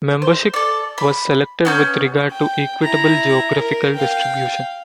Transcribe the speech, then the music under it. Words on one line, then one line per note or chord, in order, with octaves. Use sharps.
Membership was selected with regard to equitable geographical distribution.
C5
A4 D5
B5
B3 C#4 G6
G5
E4 A#5
A#4
F5 G5